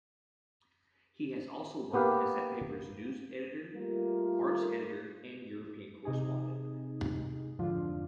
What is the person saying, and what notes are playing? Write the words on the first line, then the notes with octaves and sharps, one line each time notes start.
He has also worked as that paper's news editor, arts editor and European correspondent.
A#3 B3 G4 B4 F5
G3 A3 A#3 F4
C3 D#4 G#4
F2 G#2 D3 F3 D4 F4